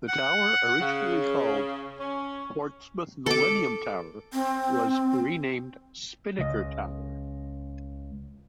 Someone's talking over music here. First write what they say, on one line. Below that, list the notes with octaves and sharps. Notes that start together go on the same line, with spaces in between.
The tower, originally called Portsmouth Millennium Tower, was renamed Spinnaker Tower.
F#5
C#3
C#4
A4 D6
C4
C#2 D#5